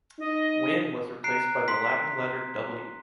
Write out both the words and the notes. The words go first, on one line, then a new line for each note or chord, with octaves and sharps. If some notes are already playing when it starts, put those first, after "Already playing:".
Wynn was replaced by the Latin letter .
D#4 D#5
A#5 F#6 C7 D7
C6 B6